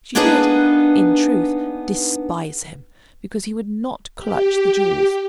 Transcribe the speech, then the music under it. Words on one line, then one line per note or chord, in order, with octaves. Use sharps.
She did, in truth, despise him because he would not clutch the jewels.
A#3 B3 D4 D#4 G#4 B4
G4